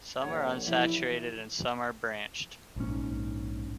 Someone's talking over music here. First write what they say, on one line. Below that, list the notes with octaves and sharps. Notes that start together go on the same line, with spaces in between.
Some are unsaturated and some are branched.
A#1 C#5 F#5
E3 F3 E4 G4
A#1 G#2 C#4